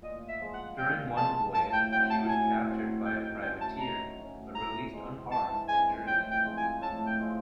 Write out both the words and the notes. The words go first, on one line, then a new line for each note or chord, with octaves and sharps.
During one voyage she was captured by a privateer, but released unharmed in Jersey.
A#2 D#5
E5
F3 G#3
F#5
A#2 G5
F3 G#3 A5
A2 A5
G5
F#3 A3 C4 G5
A5
A2 G#5
F#3 A3 C4
D#3 G5
G5
F#3 A3 C#4 G5
A5
D#3 A#5
F#3 A3 C#4
E3 A#5
G#3 C4
E3 A5
G#3 C4 G#5
A2 G5
G5
F3 G#3 C4
G#5
A2 A5
G5
F3 G#3 C4